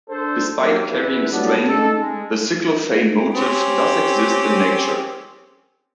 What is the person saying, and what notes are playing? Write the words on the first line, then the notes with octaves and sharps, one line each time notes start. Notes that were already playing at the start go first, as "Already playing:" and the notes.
Despite carrying strain, the cyclophane motif does exist in nature.
D4 A4 C5
F#3 A#3 G4
E2 E4 B4
F#3 G3 A3 B3 D4
G#3 A3 D#4 A4
G#3
C4 C#4 G4